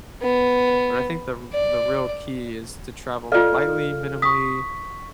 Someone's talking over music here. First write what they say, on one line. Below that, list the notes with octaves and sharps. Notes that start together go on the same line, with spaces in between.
but I think the r the real key is to travel lightly, minimally,
B3
D5
F4 A4 D5 D#5 F5 F6
C#6 D#6 B6